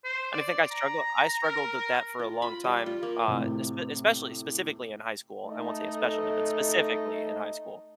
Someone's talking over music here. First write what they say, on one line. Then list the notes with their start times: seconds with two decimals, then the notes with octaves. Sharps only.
And I think I struggle I struggled with that for a long time, uh, espe especially specifically in high school. I won't say especially, but specifically in high school.
0.04 C5
0.33 D5
0.72 A#5
1.43 A#4
2.19 F4
2.42 B5
2.64 G3
2.86 F4
3.03 A#3
3.28 A2 C3
5.46 A3 D#4 A4 D#5